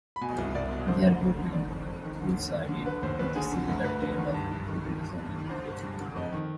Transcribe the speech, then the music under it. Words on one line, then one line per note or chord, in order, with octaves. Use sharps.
Their movements coincided with a similar trend of populism in Europe.
B5
B2 G#5
C2
C2 D5
B2
D3 C5
D2
D2
D3
D#3 D5
F2
F2
D#3
D3
D#2
D#2
D3
D3 B4
D#2 C5
D#2 B4
D3 G#4
D3
D2
D2 B4
D3 B4
D#3
G2
G2
D#3
D#3
G2
G2
D#3
D3 C5
G2
G2
D3
F2 D#5
D#3